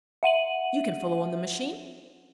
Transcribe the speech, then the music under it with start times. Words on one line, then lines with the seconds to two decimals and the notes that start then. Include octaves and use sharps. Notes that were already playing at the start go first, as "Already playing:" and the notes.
You can follow on the machine?'
0.23 E5 F#5 D#7 F#7